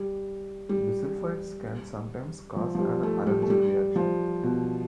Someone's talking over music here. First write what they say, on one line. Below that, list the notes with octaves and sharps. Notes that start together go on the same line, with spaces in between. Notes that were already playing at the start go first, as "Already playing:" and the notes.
Bisulfites can sometimes cause an allergic reaction.
Already playing: G3
G3
F3
F3
G3
A3
G3
A3
G3
F3
B2